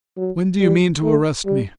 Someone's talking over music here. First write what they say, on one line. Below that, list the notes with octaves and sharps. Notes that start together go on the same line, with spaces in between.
"When do you mean to arrest me?"
F#3
G3
A3
G3